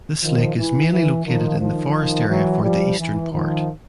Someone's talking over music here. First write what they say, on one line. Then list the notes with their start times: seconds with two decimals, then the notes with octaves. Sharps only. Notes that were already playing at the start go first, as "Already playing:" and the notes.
This lake is mainly located in the forest area for the eastern part.
0.22 D#3 F3
0.57 E3
0.91 E3
1.25 D#3 F3
1.60 D#3 F3
2.28 E3 F#3
2.63 F3 G3
2.98 E3
3.32 D#3 F3